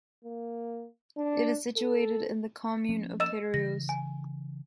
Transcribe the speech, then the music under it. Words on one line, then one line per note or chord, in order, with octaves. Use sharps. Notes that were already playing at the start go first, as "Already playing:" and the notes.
It is situated in the commune of Pérouse.
A#3
D4
A4
F3 A#3 C#4
D#5 E6 E7
C#3 E3 A#6
G#5